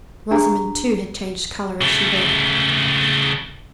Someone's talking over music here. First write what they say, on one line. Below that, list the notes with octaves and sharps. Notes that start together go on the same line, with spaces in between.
Rosamond too had changed color as she read.
D4 G4 G#4 A#5 D#6
C#3 A3